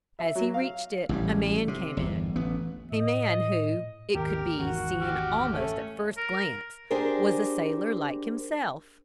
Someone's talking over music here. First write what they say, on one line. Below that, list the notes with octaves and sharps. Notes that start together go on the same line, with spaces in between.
As he reached it a man came in; a man who, it could be seen almost at first glance, was a sailor like himself.
E5
F#3
F5
A1 A2 C3 G3
C3
G1 E2
A1 B3
A2 D#5
G#1 D#2 G4 A#4
G#1 E2 D#3 F#4
G4 F6
A3 C#4
A#4
D4 G4 G#4 A#4 C5